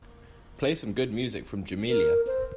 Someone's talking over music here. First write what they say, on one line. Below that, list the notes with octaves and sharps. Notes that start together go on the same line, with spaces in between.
Play some good music from Jamelia.
A#4
C5